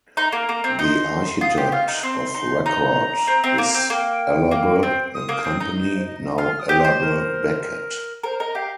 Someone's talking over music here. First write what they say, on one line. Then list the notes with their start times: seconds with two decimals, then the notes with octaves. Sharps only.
The architect of record is Ellerbe and Company, now Ellerbe Becket.
0.17 D#4 A#5 C6
0.32 A#3
0.49 A#3
0.64 C4
0.79 D#4 D#6
0.83 C6
1.41 F4 D#6
1.57 G4 C6
1.72 F4 F6
1.88 D#4
2.03 C4 C6
2.35 D#4
2.65 D#4 A#5
3.27 C4
3.44 C4
3.58 A#3
3.74 C4
3.90 A#3 G5
4.51 A#3
4.83 C4
5.14 D#6
5.29 A#3
5.44 C4
5.60 D#4
5.96 C5
6.07 D#5
6.37 F4 F6
6.59 D#6
6.69 G4
6.79 C6
6.85 C5
7.01 A#4
8.24 A#4 C5
8.40 A#4 D#5
8.55 G4 F5